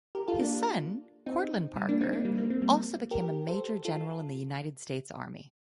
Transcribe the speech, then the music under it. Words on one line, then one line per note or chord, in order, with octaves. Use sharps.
His son, Cortlandt Parker, also became a major general in the United States Army.
G4 A#4
F4 A4
A#3 D4
C4 D#4
G3
A#3 D4
C4 D#4
A#3 D4
G3 A#3
A#3
C4
G3 A#3
G4 A#4
A4 C5
F4 A4